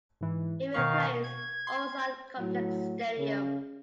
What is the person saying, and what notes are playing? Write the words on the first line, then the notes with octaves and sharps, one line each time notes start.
It replaced Ulsan Complex Stadium.
G#2 E3
B2 D#3 B3 F5 C#6
G#6
C6
A2 F#3
C#3